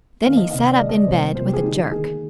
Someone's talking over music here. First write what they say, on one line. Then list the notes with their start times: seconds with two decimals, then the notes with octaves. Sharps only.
Then he sat up in bed with a jerk.
0.23 D#3 A#3 F5
0.37 D#5
0.51 C3 D#3 A#3 F5
0.69 D5
0.79 D3 G#3 D#5
0.89 D#5
0.93 D5
1.07 C3 G3 A#3 C5
1.35 C3 F3 A#3 C5
1.45 G4
1.54 G#4
1.63 D3 G#3 D#4
1.91 D#3 A#3 G#4